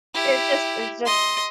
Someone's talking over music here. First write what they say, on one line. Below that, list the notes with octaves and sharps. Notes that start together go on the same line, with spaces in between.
it's just it's just
E4 G4
D#5 C6